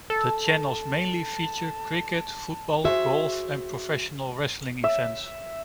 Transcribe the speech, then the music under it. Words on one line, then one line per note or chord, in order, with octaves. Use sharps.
The channels mainly feature Cricket, Football, Golf and Professional Wrestling events.
A4 A5
F#4 G#4 C5 E5
E5